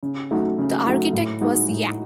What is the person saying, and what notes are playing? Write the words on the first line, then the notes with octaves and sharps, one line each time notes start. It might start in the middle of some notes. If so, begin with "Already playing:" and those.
The architect was Ya.
C#3
F#3 A3 D#4 F#4
C#3
F#3 A3 D#4 F#4
A2
G#3 D#4 F#4
A2